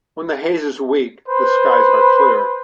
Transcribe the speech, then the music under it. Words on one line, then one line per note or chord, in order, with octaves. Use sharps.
When the haze is weak, the skies are clear.
B4 C5